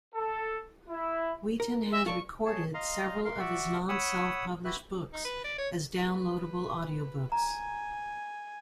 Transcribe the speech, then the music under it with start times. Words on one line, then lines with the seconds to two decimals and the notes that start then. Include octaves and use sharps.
Wheaton has recorded several of his non-self-published books as downloadable audiobooks.
0.15 A4
0.88 E4
1.60 A#4
1.92 E5
2.06 F4 A4 D5 C#6
2.45 G#4 C#5 A5
2.74 D#5 F5 A#5 C6
3.25 A#4 F5 C6
3.39 F#4 D5 E5 F#5
3.89 C#5 F#5 B5 D#6 E6
4.65 E4 F#4 G4 B4 E5 F#6
5.13 D#4
5.25 B4
5.44 D5
5.58 C#5
6.00 B4
7.32 G#5 A#5